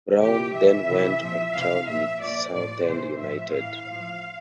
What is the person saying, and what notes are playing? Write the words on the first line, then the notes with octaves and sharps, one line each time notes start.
Brown then went on trial with Southend United.
C3 E3 G4
A2 E3 E5
C3 E3
A#2 F3
C3 E3 F5
A#2 F3 E5
A#2 F3 D5
A2 F3 D5
C3 E3 C5
A2 F3 E5
A2 E3 F5
A2 F3